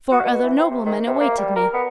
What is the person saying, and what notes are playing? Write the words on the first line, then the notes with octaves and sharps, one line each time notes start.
Four other noblemen awaited me.
F#4
B2
E3
C4
C3
D#3
C3
A#3
G3
A#4
B3